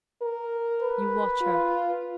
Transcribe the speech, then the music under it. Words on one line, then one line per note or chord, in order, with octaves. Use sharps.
You watch her.
A#4
B4
F4